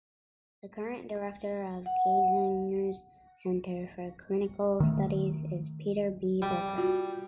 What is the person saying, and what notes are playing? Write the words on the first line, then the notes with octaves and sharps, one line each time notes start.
The current director of Geisinger's Center for Clinical Studies is Peter B. Berger.
F#5
D#3 A3
G3
F4 F#4